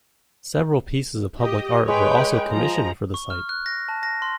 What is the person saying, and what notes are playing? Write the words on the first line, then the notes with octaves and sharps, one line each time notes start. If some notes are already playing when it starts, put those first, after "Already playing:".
Several pieces of public art were also commissioned for the site.
G4 D#5
G#3 B4 C#5 G5
F3 A#5
C#6
F6
F#6
A#6
A5
A#6
C6